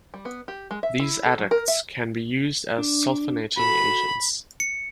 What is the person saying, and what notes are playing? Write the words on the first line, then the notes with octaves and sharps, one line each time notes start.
These adducts can be used as sulfonating agents.
G3
B3
G4
G#3
E5
E4
A4
F#3
A#4
E5
D4
F#4 A4 B5
C#7